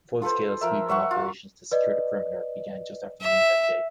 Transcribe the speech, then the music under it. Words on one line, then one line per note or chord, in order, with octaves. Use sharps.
Full-scale sweeping operations to secure the perimeter began just after noon that day.
F4 A4 B4 C5
F3 A#4 E5
C#5 E5 F#5 C#6
F4
B4 D5 D#5
E5